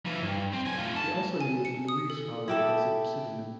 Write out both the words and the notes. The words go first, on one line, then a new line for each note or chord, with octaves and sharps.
She also used Louise Howard as a pseudonym.
E3 F3
G2
C4
B1 G#5
A3 F4
A5
G#5
C#7
D#6
A4
E4 G4 A4